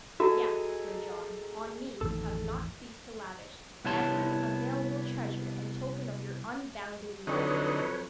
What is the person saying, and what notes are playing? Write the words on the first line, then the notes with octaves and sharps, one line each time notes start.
Yes, Sir John, on me you have not ceased to lavish every available treasure and token of your unbounded love.
F#4 G#4 A4 D#5 E5 A#5
A1 F2 D#3 A4 E6
C2 B3 E4 C#5 A5 C6
F2 D3 F#3 D#4 B4 C#5